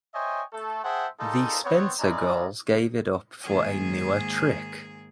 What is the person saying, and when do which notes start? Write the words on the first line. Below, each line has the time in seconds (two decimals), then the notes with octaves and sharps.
The Spencer girls gave it up for a newer trick.
0.15 C5 C#5 D#5 E5 G5 G#5
0.53 A3 A4
0.84 G#4 C5 E5 F#5 G5 A5
1.20 G3 A#3 D#4 F4 G#4 A4
1.65 B3 C4 C#5
2.00 G#3 C#4 E4 D5 D#5 A#5
3.43 G#2 D#3 A#3 G#4 G#5